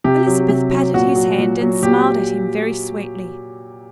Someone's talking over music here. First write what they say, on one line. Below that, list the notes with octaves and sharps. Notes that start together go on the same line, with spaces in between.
Elizabeth patted his hand and smiled at him very sweetly.
C3 G4
F#3
C3
F#3
A#2 F#4
F#3
A#2
F#3
A#2 G4